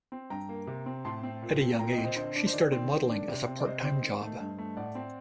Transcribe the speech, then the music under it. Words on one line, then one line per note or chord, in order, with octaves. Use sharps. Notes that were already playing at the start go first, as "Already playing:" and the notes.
At a young age, she started modelling as a part-time job.
C4
G2 G5 A#5
A#3
C3
C4
A2 A5 C6
C4
A#2
C4
A#2 G5 A#5
D#5 G5
C4
C5 D#5
D3 C5 D#5
D4
C5
D#3 D5
C4
D#3
D4
C3
C4
D5
C3 C5 D#5
C4
D#3
A3
G2
A3
A2 D5 F#5
C4